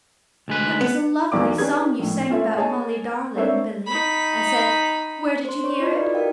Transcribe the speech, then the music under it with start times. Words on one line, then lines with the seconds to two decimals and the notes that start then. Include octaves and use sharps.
"That was a lovely song you sang about 'Molly darling,' Billy," I said. "Where did you hear it?"
0.48 D2 G#3 B4
0.81 B3
1.32 B1 E2 D5 D6
1.58 C#4 D4 G4 G#4 B4 G#6
1.99 A#1 A2
2.30 C#4 F4 A4 E5
2.57 G#4 C#5 D#5 G#5 A5
3.36 A#3 C4 D4 C5 C#5 E5
3.87 D#4 B5
5.45 C5 C6
5.64 C#5 D5 C#6
5.79 E4 F4 D#5 B5
5.91 D#4 F#4 B4 D5 D#5
6.03 A4
6.14 F#4 A#4 F5 G5